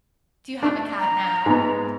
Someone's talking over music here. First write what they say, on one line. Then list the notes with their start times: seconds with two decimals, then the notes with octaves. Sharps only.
do you have a cat now?
0.63 D4
0.99 A#5
1.46 G#2 B3